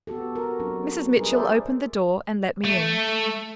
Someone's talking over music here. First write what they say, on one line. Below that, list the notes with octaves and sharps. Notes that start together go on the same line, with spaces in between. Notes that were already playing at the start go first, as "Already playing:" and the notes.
Mrs. Mitchell opened the door, and led me in.
B3 F#4 G4 A4
F#4 A#4
F#3 C4 D4
G3 D#4 G#4 A#4 B4
A4 A#4 C5 D5 E5
A3